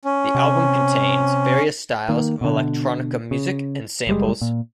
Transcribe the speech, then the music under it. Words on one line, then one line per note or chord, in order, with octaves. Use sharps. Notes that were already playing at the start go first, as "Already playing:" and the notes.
The album contains various styles of electronica music and samples.
C#4
C3
D#3 A#3
B2 D3
C#3
F#1 G3 G#3
A#2